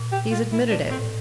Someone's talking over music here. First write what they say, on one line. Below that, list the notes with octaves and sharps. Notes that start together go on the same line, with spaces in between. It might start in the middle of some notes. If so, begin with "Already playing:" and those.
He's admitted it.
Already playing: A#2
G4
F4
E4
D4
A2 C4